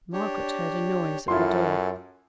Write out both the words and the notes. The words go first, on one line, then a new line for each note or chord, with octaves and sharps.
Margaret heard a noise at the door.
D4 G4 C#5
F#2 E4 F4 A4 C6